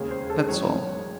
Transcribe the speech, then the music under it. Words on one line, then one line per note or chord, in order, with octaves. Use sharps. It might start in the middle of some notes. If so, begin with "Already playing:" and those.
That's all.'
Already playing: E1 D#2 C#3 G#4
C5
A4
A1 G#2 F#3 C#5